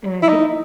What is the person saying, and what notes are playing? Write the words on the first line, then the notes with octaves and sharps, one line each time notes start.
And I think
E4
D#4